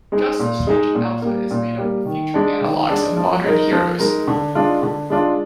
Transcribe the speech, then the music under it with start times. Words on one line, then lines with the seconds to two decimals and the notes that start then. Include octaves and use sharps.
Justice Legion Alpha is made up of future analogues of modern heroes.
0.12 G#3 D#4 G#4
0.40 A#2
0.67 G#3 D#4 G#4
0.95 A#2
1.22 G3 A#3
1.51 A#2
1.77 G3 A#3
2.05 D#3
2.34 G#3 D4
2.61 D#3
2.89 G#3 D4
3.17 F3
3.44 G#3 D#4 A#4
3.72 F3
3.99 G#3 D#4 A#4
4.27 D3
4.55 G#3 D4 F4
4.82 D3
5.10 G#3 D4 F4